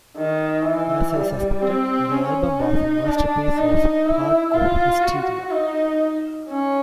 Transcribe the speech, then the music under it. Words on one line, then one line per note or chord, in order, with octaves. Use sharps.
As I suspected, the album was a masterpiece of hardcore hysteria.
D#3
E3
G3
C4
C#4
D#4
D4
D#4
E4
F4
F#4
D#4
C#4